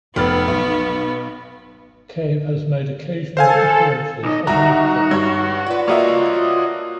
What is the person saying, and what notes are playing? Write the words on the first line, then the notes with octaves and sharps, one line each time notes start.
Cave has made occasional appearances as an actor.
F1 B3 F6 A6
B1
A4 C5 F5 G#5
B1 D#4 D#5
C2 D#4 F#4 G4 E5 A#5
G2 C#5
D4 F4 B4
A#3 F#4 C#5 D#5 E5